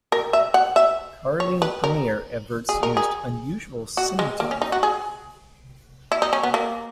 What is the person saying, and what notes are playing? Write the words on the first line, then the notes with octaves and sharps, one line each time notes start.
Carling Premier adverts used unusual cinematography.
A#4
E5
F#5
E5
C#5
B4
A#4
G#4
A#4
G#4
F#4
G#3
A#3
C#4
D#4
F#4
G#4
E4
D#4
C#4
B3
A#3